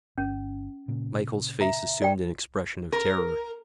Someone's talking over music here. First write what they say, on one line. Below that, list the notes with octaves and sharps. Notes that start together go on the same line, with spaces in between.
Michael's face assumed an expression of terror.
G1 C#4
A#2 C#3
E5 A#5
D5 G5
A#4